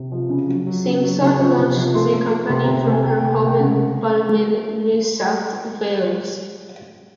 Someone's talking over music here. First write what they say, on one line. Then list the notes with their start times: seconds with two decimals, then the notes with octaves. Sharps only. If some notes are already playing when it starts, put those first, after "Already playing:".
Simson launched the company from her home in Balmain, New South Wales.
Already playing: C3
0.12 F3
0.30 C#3
0.48 F#3
0.67 F#3
0.85 C#3
1.03 F#3
1.21 C#3
1.39 F3 C#6
1.58 C3
1.77 F3
1.95 A3 C6
2.14 A3
2.31 A3
2.50 C3 C6
2.63 A#5
2.68 C3
2.77 A#5
2.87 A3 G#5
3.05 A3 G5
3.19 G5
3.23 C3
3.32 G#5
3.42 C3 G5
3.54 G5
3.60 C#3 F#5